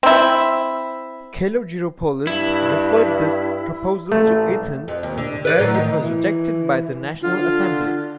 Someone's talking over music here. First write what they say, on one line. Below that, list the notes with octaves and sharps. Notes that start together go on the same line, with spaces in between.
Kalogeropoulos referred this proposal to Athens, where it was rejected by the National Assembly.
C4 E4
G2 E4
A1 A3
F2
D#2
D3
B4 D5
A2 F#3 A3
D#3
E3
D3 F4